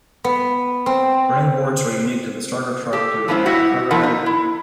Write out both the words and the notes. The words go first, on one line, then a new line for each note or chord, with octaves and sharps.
Running boards were unique to the starter truck due to the narrow cargo bed.
B3
C4
G4 A4
F3 B3 C#4 D#4 E4 C5
E4 F#4 G4
F3 A3 E4 F4 A#4 F#5
D#4
E4